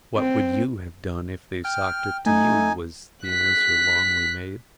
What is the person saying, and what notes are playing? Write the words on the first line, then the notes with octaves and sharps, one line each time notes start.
"What would you have done if they'd socked it to you?" was the answer Longley made.
C4
G5 F6
A3 D#4 G#5
F#6 B6